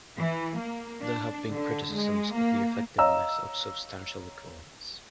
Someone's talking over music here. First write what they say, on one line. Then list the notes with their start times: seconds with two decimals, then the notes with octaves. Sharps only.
There have been criticisms of the effectiveness of substantial equivalence.
0.17 E3
0.59 A#3
1.03 D4
1.53 D3
1.94 G#3
2.35 A#3
2.98 C#5 D#5 F5 A#5 E6